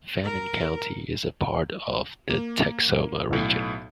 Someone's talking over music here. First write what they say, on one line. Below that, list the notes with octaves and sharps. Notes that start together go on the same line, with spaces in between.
Fannin County is a part of the Texoma region.
A#4
A#3
B1 A2